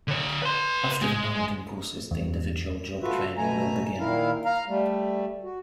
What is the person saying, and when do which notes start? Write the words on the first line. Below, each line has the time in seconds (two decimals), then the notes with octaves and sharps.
After the mountain courses the individual job training will begin.
0.08 D3 C#5
0.42 B4 C6
1.02 G#3
2.11 E2
3.02 A3 F4 F#4 B4 E5
3.37 B2 A3 G#5 A#5
4.00 A#2 D#3 E4 A#4 F5
4.45 F5 A#5
4.68 G3 A3
5.44 F#4